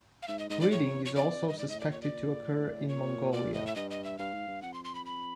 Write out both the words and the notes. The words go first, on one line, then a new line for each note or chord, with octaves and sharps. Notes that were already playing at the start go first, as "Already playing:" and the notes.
Breeding is also suspected to occur in Mongolia.
F5
G#2 E5
D#5
G#2 D#5
D5
A2 C#5
F2
E2
F2 C#5
F2 D5
E2
F2
G2 D#5
G#2 D5
A2 D#5
D5
A#2 C#5
D5
A2
A#2 C#5
A#2 D5
A2 D#5
E5
G2 D#5
D#5
E5
G2 F5
G#2
G2
F2 F#5
C6
C6
B5
B5